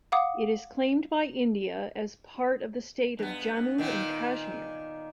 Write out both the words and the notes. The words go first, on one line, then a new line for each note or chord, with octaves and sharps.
It is claimed by India as part of the state of Jammu and Kashmir.
F5 F#5 D6 D#6
G2 B3
A#2 D#3 B3